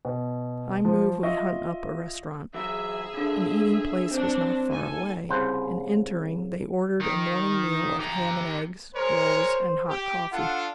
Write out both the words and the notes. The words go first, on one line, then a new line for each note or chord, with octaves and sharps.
"I move we hunt up a restaurant." An eating place was not far away, and, entering, they ordered a morning meal of ham and eggs, rolls, and hot coffee.
B2
F3
F4 D#5 E5 C#6
E3 F#3 G#4 E5
C#2 D3
F#3 C4 D4
D#2 A4 G#5
C2 C#3 C5 F#5
D#3
G4 A#5
G#3 A#4 C5 C#5
G4
D4 F4 A4 F#5